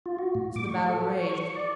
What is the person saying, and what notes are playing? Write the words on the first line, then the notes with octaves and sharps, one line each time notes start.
So the battle raged.
F4
F#4
A2
D6
C#6
A4
C#6
D5